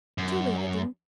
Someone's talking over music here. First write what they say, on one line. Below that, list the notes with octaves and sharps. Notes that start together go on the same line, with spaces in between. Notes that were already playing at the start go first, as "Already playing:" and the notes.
Truly, I didn't.
F#2